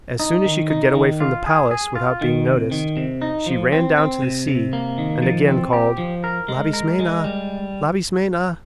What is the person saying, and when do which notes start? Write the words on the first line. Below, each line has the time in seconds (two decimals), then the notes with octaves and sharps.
As soon as she could get away from the palace without being noticed she ran down to the sea and again called, "Labismena, Labismena."
0.20 D#4
0.46 D#3
0.70 D#4
0.95 D#3
1.20 F4
1.46 G#4
1.71 G#4
1.95 F4
2.21 D#3
2.47 C3
2.71 D#3
2.97 C3
3.22 D#4
3.46 F3
3.72 C4
3.98 C4
4.22 C3
4.48 C3
4.73 A#3
4.98 D#3
5.22 F3
5.48 C4
5.73 G4
5.98 F3
6.24 A#4
6.48 G#3
6.73 A#4
7.00 G#3
7.24 G3